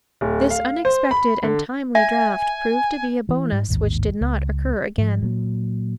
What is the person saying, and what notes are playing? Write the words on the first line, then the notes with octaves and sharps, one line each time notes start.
This unexpected and timely draft proved to be a bonus, which did not occur again.
D1
F5
C5
B5
D3
E5 G#5
E3
G#2
A1 D#2 G#2
C#2
G#2 F3
A#2 F#3